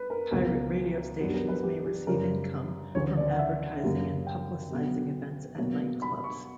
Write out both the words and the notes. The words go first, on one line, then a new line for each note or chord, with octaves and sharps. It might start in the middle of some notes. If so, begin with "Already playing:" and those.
Pirate radio stations may receive income from advertising and publicising events at nightclubs.
Already playing: B4
A#4
C#2 B2 F#3 A#3 A#4
G2 F#3 B3
A#4
B4
G4
G4
F#2 C#3 G3 A#4
D2 C#3 E3 C#5
D5
F#5
E5
F#2 C#3 G3 A#3
G5
B2 F#3 B3
B2 F#3 A#3
B5
C#6